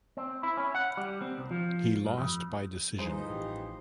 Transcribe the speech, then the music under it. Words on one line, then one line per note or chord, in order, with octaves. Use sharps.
He lost by decision.
C4
E4
C#4
F#5
G3
C4
C2
F3
G2
F2
G2 E3 F3 D#4 G#4 C5
A1 G4